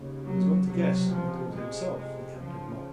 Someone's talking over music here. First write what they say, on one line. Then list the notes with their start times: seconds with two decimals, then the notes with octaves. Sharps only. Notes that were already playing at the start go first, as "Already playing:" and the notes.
He was not to guess that it was himself the Captain mocked.
Already playing: D#2 C#3
0.23 F#3
0.65 C#2 C3 F#3
1.10 F3
1.52 F2 C3 G#3
1.95 G#3
2.39 C#2 C#3 F3